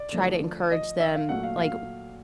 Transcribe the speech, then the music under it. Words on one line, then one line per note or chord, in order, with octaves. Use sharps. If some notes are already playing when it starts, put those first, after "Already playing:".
try to encourage them, like,
Already playing: D5
D3 F3 A3
D#5
E5
F5
A#2 F#3 A3 F#5
F5
F5